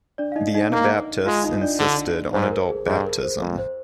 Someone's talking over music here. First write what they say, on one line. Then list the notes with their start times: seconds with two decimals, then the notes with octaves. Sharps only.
The Anabaptists insisted on adult baptism.
0.18 D4 D5
0.32 F5
0.36 D#4 D#5
0.54 D#4 D#5
0.73 A#3
1.26 G#3 F4 F5
1.44 D#4 D#5
1.61 D4 D5
1.80 D3
2.33 G#2 C5
2.51 A#4
2.70 G#4
2.86 G2 G#4
3.05 A#4
3.23 C5
3.40 F2
3.58 C5